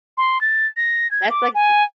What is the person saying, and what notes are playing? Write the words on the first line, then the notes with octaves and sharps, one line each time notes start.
that's like
C6
A6
A#6
G#6
D6
G#5